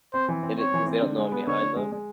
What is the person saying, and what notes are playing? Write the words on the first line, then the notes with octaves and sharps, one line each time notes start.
and it 'cause they don't know I'm behind them,
C4 C5
E3
C4
C4 C#5
E3
C4
D3
G#3
B3
D3 C#5
D3
G#3
G#3